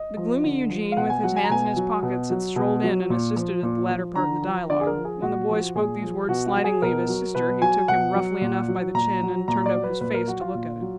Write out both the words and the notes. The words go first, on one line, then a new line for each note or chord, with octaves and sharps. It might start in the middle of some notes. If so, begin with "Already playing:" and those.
The gloomy Eugene, with his hands in his pockets, had strolled in and assisted at the latter part of the dialogue; when the boy spoke these words slightingly of his sister, he took him roughly enough by the chin, and turned up his face to look at it.
Already playing: D#5
F3
D3
F3
F5
B2 F#5
G#5
F#3 F#5
G#5
A#5
B2 G#5
F#3
B2
F#3
B2
F#3
A#2
F3
A#2
F3
D3 A#5
F3
D3 D5
G#4
A#4
F3
G#4
A#2 F#4
F3
A#2 G#4
F3
B2 F#4
F#4
F#3
G#4
B2 A#4
F#3
B2 B4
F#3 G#5
B2 F#5
F#3
A#2
F#3
A#2 A#5
F#3
A#2 A#5
D5
F#3
B4
A#2 B4
A#4
F#3 F#4
F4
A#2
F#3